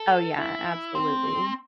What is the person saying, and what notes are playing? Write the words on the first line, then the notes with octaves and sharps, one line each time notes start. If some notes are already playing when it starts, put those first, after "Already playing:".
Oh, yeah, absolutely.
Already playing: A4
E4
C4